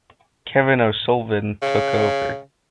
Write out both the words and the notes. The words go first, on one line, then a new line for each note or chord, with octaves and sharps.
Kevin O'Sullivan took over.
C#3